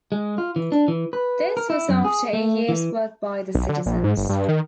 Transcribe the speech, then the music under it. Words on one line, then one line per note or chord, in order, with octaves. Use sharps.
This was after a year's work by the citizens.
G#3
F4
E3
D4
E3
B4
A#4
E4
F#2
G#4
A3
E3
B1
D3
A#1
G#2
G1
G2
D#3